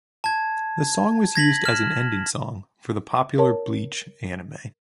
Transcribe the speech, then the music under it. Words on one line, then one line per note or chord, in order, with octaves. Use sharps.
The song was used as an ending song for the popular "Bleach" anime.
A5 G#6
G#6 A#6 B6 F#7
F6 E7
A#4 C#5 A5